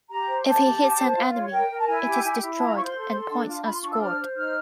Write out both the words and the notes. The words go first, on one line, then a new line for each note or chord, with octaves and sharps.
If he hits an enemy, it is destroyed and points are scored.
G4 A#5
C5
G4 A5
G4
G4
C5
F4
C#5
A#4 G5
A#4
A5
E4 G#5
G4
E4
E4
F4 A5
A#5
C5 C#6
C6
A4
A4
D4
F4
F4 B5
C6
D4 C#6
E6
C5 F6
C5
D#4 F6